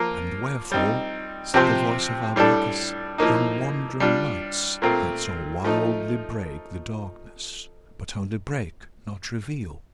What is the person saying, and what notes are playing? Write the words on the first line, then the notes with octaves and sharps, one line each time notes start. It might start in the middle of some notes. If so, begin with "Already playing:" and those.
'And wherefore, said the voice of Arbaces, 'yon wandering lights, that so wildly break the darkness; but only break, not reveal?'
Already playing: F3 A#3 F4 A#4
G3 C4 D#4
C3 F3 C4 G4 C5
A2 G3 D4 A4
A2 F3 A#3 D#4
G3 D4 F4
A#2 A3 C4 F4 A#4
F3 A3 D#4